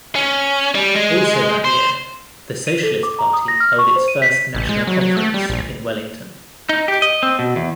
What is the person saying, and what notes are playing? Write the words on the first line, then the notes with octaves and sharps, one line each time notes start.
Also that year the Socialist Party held its first national conference in Wellington.
C#4
G3
G#3
C5
D#7
A4
D6
A#5
D#6
A#6
F6
C#6
C5
D#7
B6
A1
G#3
F#3
F#3
A3
G3
A#1
D#4
G4
D#5
C4
B2
E2